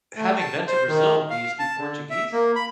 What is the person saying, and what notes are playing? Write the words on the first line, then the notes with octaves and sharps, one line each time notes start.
having been to Brazil, do you speak Portuguese?
A3
A5
C5
D#3
F5
A5
D3
E5
A#3
B5